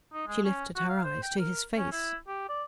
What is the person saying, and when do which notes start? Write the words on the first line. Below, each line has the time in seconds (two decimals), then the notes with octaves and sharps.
She lifted her eyes to his face.
0.13 D#4
0.27 G#3
0.45 C#4
0.76 F#4
0.89 F5
1.04 C5
1.23 G5
1.39 A#4
1.77 C#4
1.92 E4
2.28 G4
2.49 D5